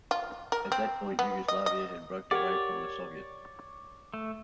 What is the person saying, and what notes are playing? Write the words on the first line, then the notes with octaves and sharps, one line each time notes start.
At that point, Yugoslavia had broken away from the Soviets.
F4
A#4
C4
B3
D#5
D#5
G4 A#4 C#5 D5 F#5
A3